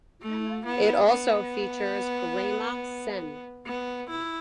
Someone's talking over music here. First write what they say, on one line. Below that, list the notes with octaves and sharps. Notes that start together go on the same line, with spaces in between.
It also features Raima Sen.
A3
B3
B3
B3
E4